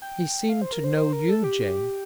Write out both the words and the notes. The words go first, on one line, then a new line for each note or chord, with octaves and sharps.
He seemed to know you, Jane.
G5
F5
C5
A#4
C5
C5
A#4
A4
G4